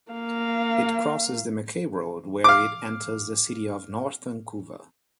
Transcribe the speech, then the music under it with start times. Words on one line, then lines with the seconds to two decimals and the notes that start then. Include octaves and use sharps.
It crosses Mackay Road where it enters the City of North Vancouver.
0.12 A#3 F5
2.44 F5 D6